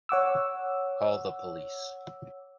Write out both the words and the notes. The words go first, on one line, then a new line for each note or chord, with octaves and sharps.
Call the police.
C#5 F#5 D6 E6